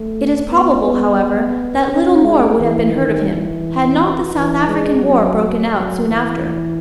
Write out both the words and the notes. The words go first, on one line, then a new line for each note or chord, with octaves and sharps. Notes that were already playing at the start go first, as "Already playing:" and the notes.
It is probable, however, that little more would have been heard of him, had not the South African War broken out, soon after.
Already playing: A3
B3
B3
C#4
G#3
E3
D#3
E3
E3
G#3
F#3
F#3
E3